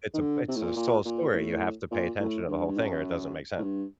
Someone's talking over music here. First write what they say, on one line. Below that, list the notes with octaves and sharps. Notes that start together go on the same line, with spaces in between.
it's a b it's a soul story. You have to pay attention to the whole thing or it doesn't make sense.
D#3
D3
C3
A2
A#2
A#2
A#2
A2
A#2
A2
G2
G2
F#2
A2
G2